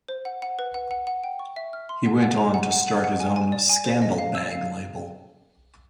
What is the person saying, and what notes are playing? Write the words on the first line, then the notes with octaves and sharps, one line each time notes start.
He went on to start his own Scandal Bag label.
C5
F#5
F#5
B4
F#5
F#5
F#5
G5
C#6
E5
F6
C6
F#5
F#5
A#5
F#5
F#5
F#5
F#5
G#5
G#5
D5
G#5
C5
D#5
F5
E6
F5